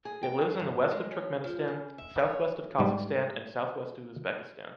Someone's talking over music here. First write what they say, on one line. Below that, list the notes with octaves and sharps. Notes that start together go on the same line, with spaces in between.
It lives in the west of Turkmenistan, southwest of Kazakhstan and southwest of Uzbekistan.
G#4
G5
G#4
G2
G#3
C#4
F3
C#3
E5
C#5
G#2 G3